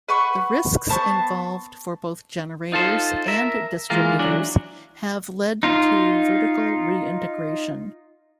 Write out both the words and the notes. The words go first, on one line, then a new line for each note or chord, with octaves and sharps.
The risks involved for both generators and distributors have led to vertical re-integration.
B4 F#5 B5 C#6
B3 C5 A5 C#6
D#4 F4 A4 C5
A#4 E5
E3 G#3 A#3 F4 A#4
E3 F#3 D4
D#4 F4